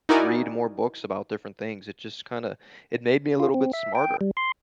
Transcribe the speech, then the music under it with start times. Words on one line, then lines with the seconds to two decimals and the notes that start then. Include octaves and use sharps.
read more books about different things, it just kinda it made me a little bit smarter
0.09 D#4 E4 F#4 A#4 D5 G#5
3.40 F4
3.54 C4
3.73 E5
3.95 G5
4.21 G3
4.37 C6